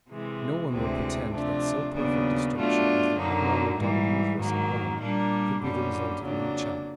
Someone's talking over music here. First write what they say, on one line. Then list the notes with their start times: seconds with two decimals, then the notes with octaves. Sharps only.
No one will pretend that so perfect a structure as the abnormal double uterus in woman could be the result of mere chance.
0.10 C3 E3 G#3
0.72 D2 C3 E3 G#3 C4
1.33 C3 F3 A3 D4
1.94 D#2 C#3 F#3 B3 D4
2.55 B2 F#3 A3 D4 F4
3.17 F#2 D3 F#3 A#3 D#4
3.78 G#2 E3 G3
4.39 G#2 D#3 F#3 A#3
5.00 A#2 G3 A#3 D4
5.61 F#2 D3 G3 A#3 C#4
6.23 F2 C#3 F#3 A#3 D4